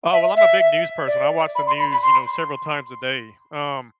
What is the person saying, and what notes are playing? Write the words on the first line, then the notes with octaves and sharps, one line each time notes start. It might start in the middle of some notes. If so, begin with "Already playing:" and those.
Oh, well, I'm a big news person. I watch the news, you know, several times a day. Um,
E5
E5
D5
B5
C6
B5
B5
C6